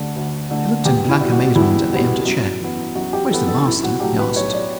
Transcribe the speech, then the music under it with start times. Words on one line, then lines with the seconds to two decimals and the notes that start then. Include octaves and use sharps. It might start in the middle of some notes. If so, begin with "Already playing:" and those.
He looked in blank amazement at the empty chair. "Where's the master?" he asked.
Already playing: D2 D3 A3
0.15 D2
0.50 D3 A3
0.85 E2 G4
1.09 E4
1.20 B2 G3 B3
1.32 F#4
1.55 E2 E4
1.91 B2 G3 B3
2.25 F#2
2.61 E3 B3
2.95 F#2 F#4
3.13 G4
3.31 E3 B3 A4
3.48 A4
3.66 B1 E4
3.83 F#4
4.00 A2 F#3 A3 G4
4.18 B4
4.36 B1 C#5
4.53 D5